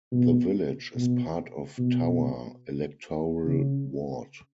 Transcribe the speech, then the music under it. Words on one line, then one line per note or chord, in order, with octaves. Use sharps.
The village is part of 'Tower' electoral ward.
B2
B2
B2
C#3